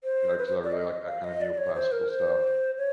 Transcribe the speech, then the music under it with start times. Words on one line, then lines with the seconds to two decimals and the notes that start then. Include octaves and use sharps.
Yeah, 'cause I really like that kind of neoclassical style.
0.04 C5
0.38 B4
0.47 C5
0.64 D5
0.72 D#5
1.07 F5
1.24 D#5
1.41 D5
1.53 D5
1.58 C#5
1.75 C5
1.92 A#4
2.09 C5
2.78 C#5